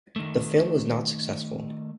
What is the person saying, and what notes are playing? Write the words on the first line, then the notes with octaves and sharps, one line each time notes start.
The film was not successful.
D#3 A3